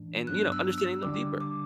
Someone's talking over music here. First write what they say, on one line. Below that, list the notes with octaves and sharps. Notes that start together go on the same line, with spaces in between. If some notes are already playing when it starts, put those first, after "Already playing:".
And, you know, understanding them deeper.
Already playing: A2 E3 A3 D4
G2 F#3 B3 D4 F#6
E6
E6
D2 D3 G3 D4 D6
D6